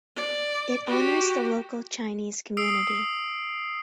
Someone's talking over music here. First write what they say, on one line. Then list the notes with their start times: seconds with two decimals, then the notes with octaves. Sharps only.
It honors the local Chinese community.
0.16 D5
0.86 F#4 G4
2.57 D#6 E6 C7 D7